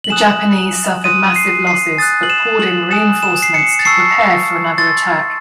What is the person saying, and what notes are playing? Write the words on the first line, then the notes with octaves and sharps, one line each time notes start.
The Japanese suffered massive losses, but poured in reinforcements to prepare for another attack.
F#7
G#5 D#6 F#6 E7
C6 D#6 F#6 D#7
C7
C7
G#5 D#6 F#6 A6
F#7
E7
F#7
G#5 D#6 F#6 E7
E7
C7
C#7
A6
A5 C#6 E6 C7
C6 E6 A6